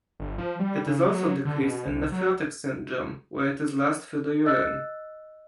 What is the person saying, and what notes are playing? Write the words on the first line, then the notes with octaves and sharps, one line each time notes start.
It is also decreased in nephrotic syndrome, where it is lost through the urine.
G1
F3
G3
C#3
F#3
D3
B2
C2
F#3
D#5 E6 F#6 A6